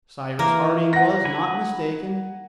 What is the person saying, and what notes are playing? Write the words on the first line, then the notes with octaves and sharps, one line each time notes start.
Cyrus Harding was not mistaken.
E3 A#3 A#4
F#5 A#6
G#5 B5